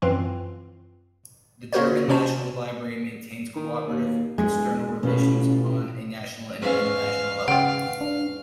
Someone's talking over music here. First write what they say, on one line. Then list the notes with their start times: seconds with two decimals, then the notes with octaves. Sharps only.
The German National Library maintains co-operative external relations on a national and international level.
0.02 F#2 E3 C4 F4
1.73 A#3 F4 F#4 A#4 C5 C#5
2.08 C3 C#4 F#4 C5 A5
3.56 D#3
3.87 D#2
4.38 E1 G#3 G#5
5.03 A1 B2 C#4 F4 B4
6.62 E2 G#2 C#4 F5
7.48 C#3 F#5 G5
8.01 D4